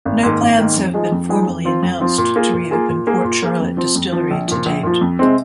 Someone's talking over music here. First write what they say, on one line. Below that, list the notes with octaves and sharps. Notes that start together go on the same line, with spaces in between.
No plans have been formally announced to reopen Port Charlotte Distillery to date.
G#1
G#2 D#3 A#3
G#1
G#2 D#3 A#3
F2
F3 G#3 D#4 G#4
F2
F3 G#3 D#4 G#4
F2
F3 C4 F4
F2
F3 C4 F4
A#2
A#3 F4 G#4
A#2
A#3 F4 G#4
A#2
A#3 G#4
A#2
A#3 G#4
F2
F3 C4
F2
F3 C4
A#1
A#2 F3
A#1
A#2 F3
F2
C3 G#3 C4